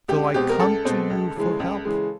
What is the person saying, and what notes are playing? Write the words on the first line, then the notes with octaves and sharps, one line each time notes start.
So I come to you for help.
C#2 G4
B2 G#3 C4 G4
A#4
C#2 A4
B2 G#3 C4
C#2
C#3 E3 G#3
C#2
C#3 E3 G#3